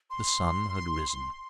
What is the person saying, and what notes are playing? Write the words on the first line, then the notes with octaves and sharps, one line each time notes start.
The sun had risen.
C6